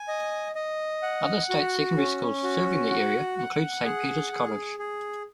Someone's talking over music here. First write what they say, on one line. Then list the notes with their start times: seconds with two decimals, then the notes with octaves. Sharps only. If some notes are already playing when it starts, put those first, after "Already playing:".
Other State secondary schools serving the area include Saint Peter's College.
Already playing: G#5
0.08 D#5
0.55 D#5
1.03 F#5
1.50 F#4
1.97 C#4
2.44 F#4
2.91 F#5
3.38 F#5
3.85 G#4
4.32 G#4
4.79 G#4